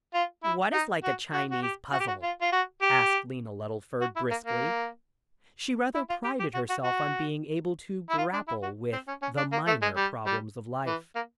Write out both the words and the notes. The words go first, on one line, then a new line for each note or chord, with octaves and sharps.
"What is like a Chinese puzzle?" asked Lena Luddleford briskly; she rather prided herself on being able to grapple with the minor problems of life.
F4
E4
D#4
F#4
F#4
F#4
G4
F#4
G4
F#4
F4
F4
F#4
G4
F#4
E4
A#3
A#3
E4
F4
G4
G4
F#4
F#4
F#4
E4
F4
D4
E4
F#4
C4
C#4
C#4
D4
A#3
A3
G#3
G3
G3
E3
A#3